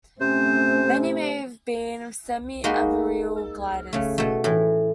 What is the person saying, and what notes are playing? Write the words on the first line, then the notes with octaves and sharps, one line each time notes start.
Many may have been semi-arboreal gliders.
C3 A3 C4 C#4 C5
G#3 A#3 D#4 F#4 B4 C6
C#3 A3
B2 A3
A2 E3